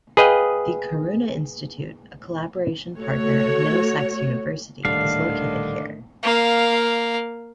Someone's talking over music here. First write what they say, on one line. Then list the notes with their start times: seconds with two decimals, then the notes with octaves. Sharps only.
The Karuna Institute, a collaboration partner of Middlesex University is located here.
0.17 G#4 B4 D#5 F5 G5
2.98 A3 F#4 C#5
4.85 D#1 A2 D3 D#3 G3 D4 F5
6.23 A#3 F5